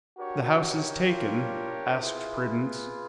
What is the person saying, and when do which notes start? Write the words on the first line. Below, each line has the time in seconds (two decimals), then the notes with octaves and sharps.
"The house is taken?" asked Prudence.
0.17 D4 F#4 G4 A#4 C#5
1.09 F4
2.01 E4 F4 G#4 B4